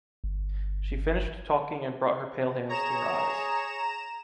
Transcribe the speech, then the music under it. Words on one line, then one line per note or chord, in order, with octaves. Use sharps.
She finished talking and brought her pale hands to her eyes.
G1
G#4 C#5 A#5 E7